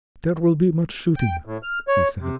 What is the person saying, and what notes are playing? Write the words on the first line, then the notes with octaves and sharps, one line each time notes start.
"There will be much shooting," he said.
G5
A2
F6
C#5
C3